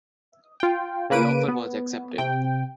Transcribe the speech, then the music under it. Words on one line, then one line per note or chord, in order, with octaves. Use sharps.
The offer was accepted.
F4 G5
C#3 A#3 B4 D7 D#7
B3
C3 G5